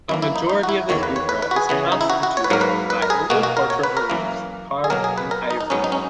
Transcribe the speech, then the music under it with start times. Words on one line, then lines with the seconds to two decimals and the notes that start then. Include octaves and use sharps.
A majority of his oeuvre is constituted by oval portrait reliefs carved in ivory.
0.09 F#2 E3 A#3 E4
0.22 E4
0.36 D#4
0.50 D#4
0.63 F#4
0.69 E4
0.89 E2 D#3 A#3 C#5
1.03 B4
1.16 C#5
1.29 B4
1.42 B4
1.51 F#4
1.56 G#4
1.69 C#3 E3 B3
1.92 D#4
2.01 E4
2.10 F#4
2.23 F#4
2.37 C#5
2.44 B4
2.50 G#2 F#3 A#3 A#4
2.61 B4
2.90 B4
3.02 A#4
3.10 G#4
3.30 B2 A#3 F#4
3.43 F#4
3.57 A#4
3.70 C#5
3.84 B4
3.97 A#4
4.10 F#2 E3 A#3
4.84 G#4
4.90 B2 F#3 A#3 A#4
5.04 G#4
5.18 B4
5.31 A#4
5.50 D#4
5.61 D#4
5.70 G#2 F#3 B3 C#4
5.84 D#4
5.92 C#4